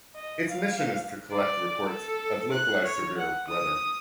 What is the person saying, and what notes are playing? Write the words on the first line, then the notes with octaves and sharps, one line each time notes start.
Its mission is to collect reports of localized severe weather.
D#5
F5
D5
A4
F#6
C#5
F#5
D#6